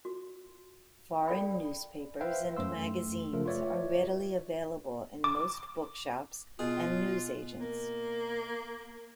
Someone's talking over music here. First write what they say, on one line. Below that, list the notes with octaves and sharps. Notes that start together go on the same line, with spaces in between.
Foreign newspapers and magazines are readily available in most bookshops and newsagents.
F#4
D4 A4 D5 F5 G5 B5
B4 C5 E5 F5 G5
F#2 A3 C6 E6
C#3 F3 A3 F4 A#4
F4 B4 C#5 D5 E5
D6
B2 F4 G#4
A#3